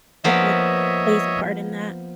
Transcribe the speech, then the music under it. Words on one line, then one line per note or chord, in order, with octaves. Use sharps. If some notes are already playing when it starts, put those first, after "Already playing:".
different plays a part in that.
F3 A#3 B3 C#5 D#5 E5